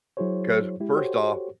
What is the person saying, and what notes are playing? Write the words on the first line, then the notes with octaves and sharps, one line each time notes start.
'cause first off,
F#3 E4 F#4 G#4 C5 C#5
G#3 E4 G4
F#4 G4 A4 C5 C#5